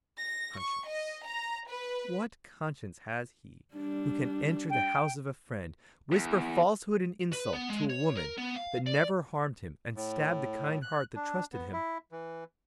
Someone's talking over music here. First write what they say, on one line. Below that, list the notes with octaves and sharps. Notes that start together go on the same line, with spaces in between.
Conscience! what conscience has he, who can enter the house of a friend, whisper falsehood and insult to a woman that never harmed him, and stab the kind heart that trusted him?
A#6
C#6
D#5
A#5
B4
G3 D4
G5
E2
B4
B3
G#3
C#5
A#4
B3
F5
D5
A2
F#6
D4
B3
E4
E3